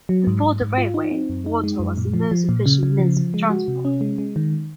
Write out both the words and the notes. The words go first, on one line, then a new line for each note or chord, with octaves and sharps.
Before the railway, water was the most efficient means of transport.
F#3
G#2
G#2
G#2
F4
D#4
C4
F#2
D#4
G#3
F#2
A#2
F3
F3
A#2
C#3
C#3
F3
F3
G#3
F#4
C3
C#4
G#3
G#3
D#3